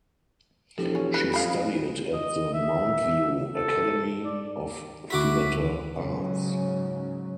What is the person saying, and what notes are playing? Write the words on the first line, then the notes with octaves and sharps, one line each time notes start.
She studied at the Mountview Academy of Theatre Arts.
E1 F3 G4 A4
C#4
B4
F2 G#4 F5 B5
D#5
E5
A4
D5
D2 E4 F#4 D6 B6
G#2 C#3 F#3